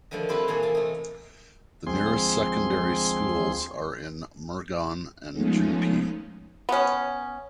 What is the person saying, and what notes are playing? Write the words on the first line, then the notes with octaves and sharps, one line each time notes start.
The nearest secondary schools are in Murgon and Gympie.
D3 D#3 F3 G3 A3
C4 E4 F4 G4 A4 B4
A#2 E3 A#3 G#4 C#5
C3 A5
A3 D#4
D2 F3 G#3 C4 G#4 C6
F3 G#3 A3 B3 C#4 D#4
B3 C#4